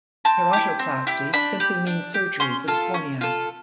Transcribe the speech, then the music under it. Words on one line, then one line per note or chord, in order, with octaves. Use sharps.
Keratoplasty simply means surgery to the cornea.
C4 A5
E4 G4
C4
E4 G4
D4 B5
G4
D4
G4
C#4 C6
F4 A4
C#4
F4 A4